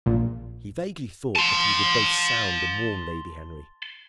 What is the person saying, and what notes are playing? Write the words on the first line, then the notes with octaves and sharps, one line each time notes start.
He vaguely thought that he would both sound and warn Lady Henry.
A#1
A5 C6